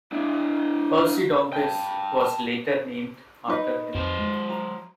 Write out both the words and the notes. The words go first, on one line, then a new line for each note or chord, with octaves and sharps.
"Ursidongus" was later named after him.
D4 E4
G5 A5
D#4 B4 D#5
F2 F#3 C5
G#3
A#5